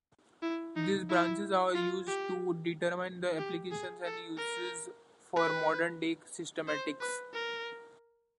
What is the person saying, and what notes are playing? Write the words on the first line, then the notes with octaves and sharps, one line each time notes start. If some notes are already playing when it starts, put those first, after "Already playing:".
These branches are used to determine the applications and uses for modern day systematics.
E4
D#4
E4
F4
G4
G4
G#4
A4
A#4
B4
C5
B4
A#4